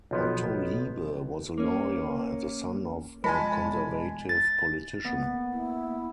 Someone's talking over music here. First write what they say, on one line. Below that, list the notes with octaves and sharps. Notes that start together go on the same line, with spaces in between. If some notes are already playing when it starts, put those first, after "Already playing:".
Otto Liebe was a lawyer and the son of a conservative politician.
B1 F3 B3
A#3 C#4
F2 G#3 G#5 A5 B5
B1 E2
A6
A#3 B3
E4